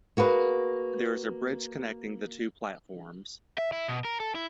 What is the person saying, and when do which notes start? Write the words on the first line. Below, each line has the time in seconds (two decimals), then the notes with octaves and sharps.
There is a bridge connecting the two platforms.
0.17 A#3 F#4 G#4 B4
3.58 E5
3.72 E4
3.88 B2
4.05 A#4
4.20 A4
4.35 E4